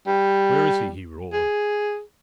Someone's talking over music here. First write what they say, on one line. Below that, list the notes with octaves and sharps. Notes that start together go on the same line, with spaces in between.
"Where is he?" he roared.
G3
G#4